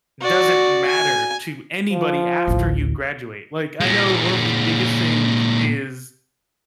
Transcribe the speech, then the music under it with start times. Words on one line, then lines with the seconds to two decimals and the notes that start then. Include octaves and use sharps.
doesn't matter to anybody after you graduate. Like, I know one of the biggest things is
0.20 F#4 D5
0.87 G#5
1.91 F3
2.47 A1 D2
3.81 A#2 G#3